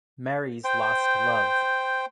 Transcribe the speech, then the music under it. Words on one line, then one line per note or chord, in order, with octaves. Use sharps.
Mary's lost love.
C5 G5